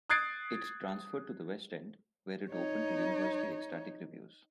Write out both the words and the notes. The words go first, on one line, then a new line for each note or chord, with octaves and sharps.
It transferred to the West End, where it opened to universally ecstatic reviews.
D#6 F#6 G#6 A6 C7 D7
D#4 C#5